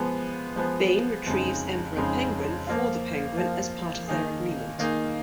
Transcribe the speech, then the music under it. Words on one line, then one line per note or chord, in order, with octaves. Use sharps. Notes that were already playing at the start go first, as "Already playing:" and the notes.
Bane retrieves Emperor Penguin for the Penguin as part of their agreement.
Already playing: F3 G#3 B3
F3 G#3 B3
F2 C#3 G#3 D#4
F2 C#3 G#3 D#4
F3 A#3 F4
F3 A#3 F4
D#3 A#3 D#4 G#4
D#3 A#3 D#4 G#4